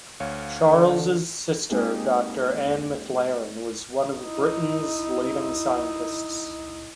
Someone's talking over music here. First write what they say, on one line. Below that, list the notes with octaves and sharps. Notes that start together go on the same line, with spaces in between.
Charles' sister Doctor Anne McLaren was one of Britain's leading scientists.
D2 C#5 F5
D3
G#3 A#3 C4 D#4 G4 G#4
D#4 E4